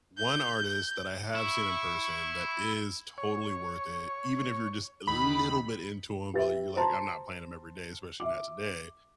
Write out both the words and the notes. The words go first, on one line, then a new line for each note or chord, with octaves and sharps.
one artist that I have seen in person that is totally worth it, even if you're just a little bit into him, but you're like, "I'm not playing him every day, especially not today,"
G6
E4 C#6
C#5
D#2 B5
G4 B4 E5 A6
C5 A5 A#5 C6
E5 D6